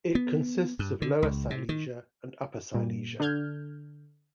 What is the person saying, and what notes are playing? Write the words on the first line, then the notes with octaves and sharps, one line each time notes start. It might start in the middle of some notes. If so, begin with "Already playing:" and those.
It consists of Lower Silesia and Upper Silesia.
B3
G2
D3
C#2
C3
D#3
A#2 G3
D3 D4 A4 F6 G6 G#6